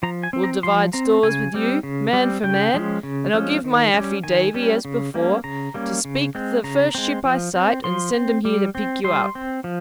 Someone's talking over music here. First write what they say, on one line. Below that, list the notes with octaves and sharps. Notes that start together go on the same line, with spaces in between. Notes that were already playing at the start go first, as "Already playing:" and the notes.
We'll divide stores with you, man for man; and I'll give my affy-davy, as before to speak the first ship I sight, and send 'em here to pick you up.
F3 A#5
G#5
C4
A#5
F3 C6
C4 A#5
C#3 G#5
G3 C4
C#3
G3 C4
C#3 G5
F3 G#3 C#4
C#3
F3 G#3 C#4
D#3
G3 C#4
D#3 G#5
G3 C#4
C#3
G3 A#3 C#4
C#3 A#5
G3 A#3 C#4
C#3
G#3 C4
C#3 A#5
G#3 C4
F3
C4
F3 C6
C4
G3
C4
G3 C6
C4
F3